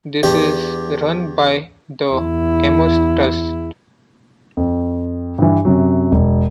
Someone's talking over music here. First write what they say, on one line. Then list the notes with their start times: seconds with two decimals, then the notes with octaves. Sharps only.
This is run by the Amos Trust.
0.23 E2 D4 G4
2.10 E2 E4
4.57 F2
5.38 G2 E3
5.65 F#2 C3 F#3
6.12 E1